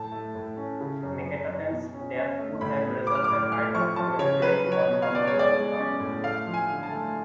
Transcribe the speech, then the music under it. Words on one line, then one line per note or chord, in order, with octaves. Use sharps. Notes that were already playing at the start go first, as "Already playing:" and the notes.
Meketaten's death could have resulted either from a plague, or from childbirth.
Already playing: A2 A5
A3
A2
C#4
C#3
F#2
F#2
F#2
B2
C#4
C#4
A3
A2 B5
B3
A2 D6
F6
D6
A2
A3 F6
F3 C#6
F3 A5
C#3 C#5
F#3 B4
F#3
C#5
B2
F5
B2 D5
G#3 C#5
D5
G#3
C#4
A2
A3 F5
F3
G#5
D3
A5
A3